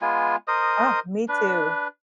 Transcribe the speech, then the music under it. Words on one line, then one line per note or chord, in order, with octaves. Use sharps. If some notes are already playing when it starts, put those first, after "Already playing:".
Uh, me too.
G#3 B3 F4 G#5
A#4 C5 D#5 D#6
D4 B4